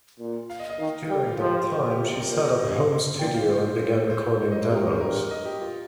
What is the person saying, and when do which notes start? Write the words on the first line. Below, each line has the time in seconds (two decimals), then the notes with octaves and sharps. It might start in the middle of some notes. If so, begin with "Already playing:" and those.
During that time she set up a home studio and began recording demos.
0.19 A#2
0.50 F5
0.59 D#5
0.70 D#5
0.79 D#3 F5
1.09 G3 G5
1.25 F5
1.32 F4
1.39 F3 G4
1.62 G4
1.69 A#4
1.91 G4
1.99 C3 F4
2.10 G4
2.20 A#4
2.30 A#2 C5
2.45 D#5
2.59 G2 D#5
2.74 F5
3.19 A#2 G5
3.34 F5
3.50 A#2 C5
3.81 A#2
4.10 C5
4.51 D#5
4.61 C5
4.70 C3 A#4
5.00 G2 A#4
5.31 D#5
5.45 G4
5.61 F4